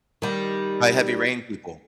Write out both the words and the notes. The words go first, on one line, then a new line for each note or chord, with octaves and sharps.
I Heavy Rain people.
D#3 G3